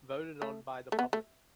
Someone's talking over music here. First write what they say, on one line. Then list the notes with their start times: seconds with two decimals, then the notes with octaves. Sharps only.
Voted on by the public.
0.42 A3
0.92 A3
0.99 B3
1.13 A3